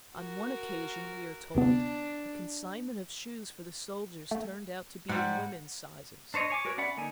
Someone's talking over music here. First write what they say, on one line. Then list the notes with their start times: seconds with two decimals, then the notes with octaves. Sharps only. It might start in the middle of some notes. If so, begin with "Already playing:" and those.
On one occasion, we are told, a consignment of shoes for the soldiers turned out to be in women's sizes.
0.16 F#4 A#4
1.55 D2 C3 B3 D4
4.31 A3
5.09 G#2 G3 F#5
6.34 D4 C5 C#5 D#5
6.50 C#5 G#5 D6
6.65 F#4 G4 A#4 B4 C#5
6.78 C#4 D5 E5 F#5 B5
6.97 D3 A#3 D#4 G#5